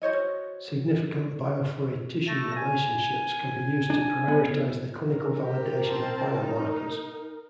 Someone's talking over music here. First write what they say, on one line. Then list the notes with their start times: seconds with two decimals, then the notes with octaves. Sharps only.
Significant biofluid-tissue relationships can be used to prioritize the clinical validation of biomarkers.
0.02 F#4 C5 C#5 D#5
2.27 A3 A5 A#6
2.56 G#5
3.90 D4
4.28 B3
5.08 A#4
5.40 G4
5.85 C4 A5
6.40 D#4